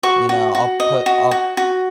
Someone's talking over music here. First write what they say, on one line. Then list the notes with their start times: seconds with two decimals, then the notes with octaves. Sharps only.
you know, I'll put I'll
0.03 F#4 C#6
0.29 F#4
0.55 F#4
0.80 D#5
1.06 F#4
1.31 F#4
1.57 F#4